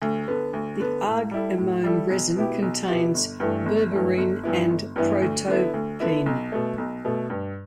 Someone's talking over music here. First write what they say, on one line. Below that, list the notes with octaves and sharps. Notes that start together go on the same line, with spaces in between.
This argemone resin contains berberine and protopine.
D2
D3 B3
D2
D3 B3
A2
G3 E4 A4
A2
G3 E4 A4
B1
B2 B3 E4 G4
B1
B2 B3 E4 G4
G1
G2 E3 A3
G1
G2 E3 A3
G1
G2 E3 B3 E4
G1
G2 E3 B3 E4
D2
D3 B3 E4
D2
D3 B3 E4
B1
B2 A3
B1
B2 A3
G2